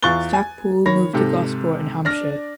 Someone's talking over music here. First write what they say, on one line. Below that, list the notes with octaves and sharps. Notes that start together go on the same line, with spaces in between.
Stacpoole moved to Gosport in Hampshire.
E2 F4 C#6 F#6 A6 G7
G#5
D#3 C#5 B5 A#6
G#2 C3 G4 A4
D4 D5 F6 A#6